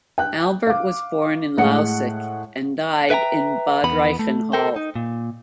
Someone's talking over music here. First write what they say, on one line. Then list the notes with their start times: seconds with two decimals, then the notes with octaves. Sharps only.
Albert was born in Lausick and died in Bad Reichenhall.
0.18 G5 F#6
0.67 F5 D6
1.57 A2 G#3 F#5 C#7
3.10 B4 E5 G5 G#5 A#5
3.84 E2 B3 B5
4.19 A3
4.53 A4 A#4 C5 G5
4.76 D#4
4.96 A#2